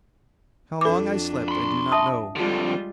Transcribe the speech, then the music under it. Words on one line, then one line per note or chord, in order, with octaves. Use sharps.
How long I slept I do not know.
F2 D4 A4 D6
B5 C6
E5 A5 D#6
F2 D3 G3 G#3 F4